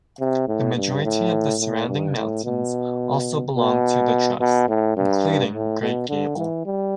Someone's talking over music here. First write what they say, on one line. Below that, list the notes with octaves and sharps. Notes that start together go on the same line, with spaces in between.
The majority of the surrounding mountains also belong to the Trust, including Great Gable.
C3
A2
G2
A2
A2
G2
A2
B2
B2
B2
A2
G2
A2
B2
D3
E3
G3